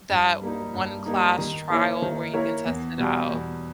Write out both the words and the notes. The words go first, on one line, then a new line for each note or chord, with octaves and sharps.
that one-class trial where you can test it out,
G2
G3 A#3 D#4
G2
G3 A#3 D#4
D#3
A#3 E4 A#4 C#5
D#3
A#3 E4 A#4 C#5
E2
B2 G3
E2